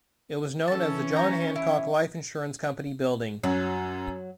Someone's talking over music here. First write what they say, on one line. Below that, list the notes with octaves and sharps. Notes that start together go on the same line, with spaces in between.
It was known as the John Hancock Life Insurance Company Building.
E3 C#4 A4 A5
A#5 G6
E4
F#2 F#3